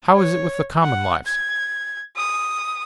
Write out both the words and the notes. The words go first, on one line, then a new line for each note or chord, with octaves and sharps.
How is it with the common lives?
C#5
F#5
G#6
D#6